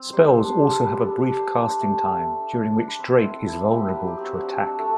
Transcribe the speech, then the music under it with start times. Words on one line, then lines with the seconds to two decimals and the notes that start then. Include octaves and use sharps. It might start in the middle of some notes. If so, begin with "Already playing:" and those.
Spells also have a brief casting time, during which Drake is vulnerable to attack.
Already playing: C4
0.13 G3 C5 C6
0.37 D4
0.49 C5 C6
0.61 D4
0.85 G3 B4 B5
1.02 A4 A5
1.09 D4
1.29 G3 D6
1.38 C5 C6
1.56 D4
1.80 A3
2.04 A3
2.28 D4
2.52 D4
2.75 D4
2.88 B5
2.99 C4 C5 C6
3.24 E4
3.36 A4 A5
3.47 E4
3.71 E4 G4 G5
3.89 B3 B4
3.95 F#3
4.07 G4
4.19 C4
4.25 F#4
4.42 D4 F#4
4.67 D4
4.78 A3 A4